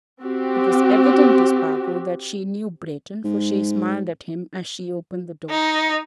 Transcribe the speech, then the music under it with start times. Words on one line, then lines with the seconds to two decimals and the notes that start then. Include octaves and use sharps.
It was evident to Spargo that she knew Breton, for she smiled at him as she opened the door.
0.22 C4 F#4 G4
3.24 G#2
5.50 D#4